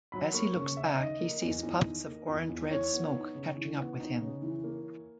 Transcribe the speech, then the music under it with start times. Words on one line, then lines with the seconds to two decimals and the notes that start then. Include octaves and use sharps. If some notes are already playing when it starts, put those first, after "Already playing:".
As he looks back, he sees puffs of orange-red smoke catching up with him.
0.12 F#3 B5
0.34 A#3 C#6
0.56 C#3 C#6
0.77 C#3 E5
0.98 D#3 D#5
1.20 A#3
1.42 E2
1.63 E2
1.85 D#3
2.06 A#3
2.27 E2
2.49 E2
2.70 E3 C#5
2.92 B3
3.13 D#4
3.35 C#3
3.56 E3
3.78 B3
3.99 D#4
4.21 C#3
4.42 E3
4.64 A#3